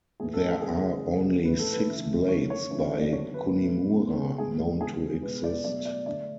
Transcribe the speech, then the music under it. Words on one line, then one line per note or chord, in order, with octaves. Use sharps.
There are only six blades by Kunimura known to exist.
A2 E3 B3 G#4
A4
A4
C#3 F#3 A3 G#4
C#3 G#3 B3
A2 E3 A3 B4
A4
B4
C#3 E3 A3
D3 A3 C#5
C#5
C#3 E3 G#3 B3 C#5
D5
D3 F#3 B3 C#5
B4
B2 F#3 A3
B2 G#3 B3
A2 G#3 B3 G#4
C#3 G#3 B3 G#4
B2 G#3 B3 B4
D5
B2 F#3 A3 D5
D5
D3 A3 D5